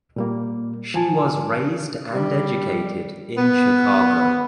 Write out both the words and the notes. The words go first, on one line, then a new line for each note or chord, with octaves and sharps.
She was raised and educated in Chicago.
A#2 G3 A#3
F3 G#5 A5
G3
B3